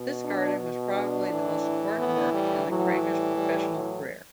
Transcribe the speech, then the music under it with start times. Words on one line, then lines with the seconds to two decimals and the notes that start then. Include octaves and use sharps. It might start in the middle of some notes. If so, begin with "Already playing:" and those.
This garden was probably the most important work in Cramer's professional career.
Already playing: B2
0.24 D4
0.93 D4
1.28 A2 E3
1.97 B3
2.33 G3
2.68 A2 E3 F#3
3.03 G3
3.37 G3
3.73 F#3